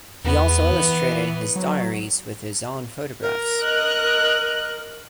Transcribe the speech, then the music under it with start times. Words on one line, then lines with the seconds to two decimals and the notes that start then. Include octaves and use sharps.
He also illustrated his diaries with his own photographs.
0.24 E2 B3
0.72 E3
1.56 F#3
3.21 A#4
3.62 D#5 F#6